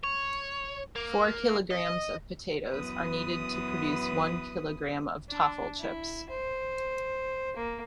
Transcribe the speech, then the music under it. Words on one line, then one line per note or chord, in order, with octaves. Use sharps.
Four kilograms of potatoes are needed to produce one kilogram of Taffel chips.
C#5
A#3
D#5
F#2 E3 B3 B4 D#6
D4
E4
C5
A#3